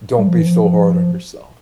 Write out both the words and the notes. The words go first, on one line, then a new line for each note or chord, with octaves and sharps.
don't be so hard on yourself.
G3
F3
E3
F3
F3